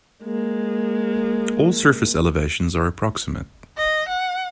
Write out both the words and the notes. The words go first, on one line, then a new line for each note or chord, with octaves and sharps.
All surface elevations are approximate.
G#3 A#3
D#5
F#5